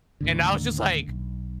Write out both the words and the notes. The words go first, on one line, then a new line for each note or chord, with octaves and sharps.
And, I was just like,
D#2 A2 D3
B1